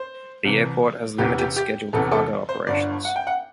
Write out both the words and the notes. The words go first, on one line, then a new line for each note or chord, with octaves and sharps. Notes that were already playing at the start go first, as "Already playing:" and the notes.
The airport has limited scheduled cargo operations.
Already playing: C5
C2 C3 E3
E1 E2 C3 E3 G4
G4
G4
E1 E2 C3 E3 A4
A4
C5
G1 G2 D3 D5
F#5
G5
F#5